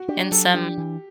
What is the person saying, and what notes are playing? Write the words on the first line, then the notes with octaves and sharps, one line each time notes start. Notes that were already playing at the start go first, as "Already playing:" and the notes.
and some
Already playing: F#4
D4 G4
F#3 A4
D4 G4
E3